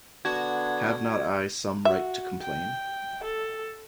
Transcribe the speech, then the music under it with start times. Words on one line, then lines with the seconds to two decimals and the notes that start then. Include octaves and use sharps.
Have not I some right to complain?
0.25 D3 B3 D4 F#4 G#6
1.85 F#4 E5
2.41 G5
3.24 A4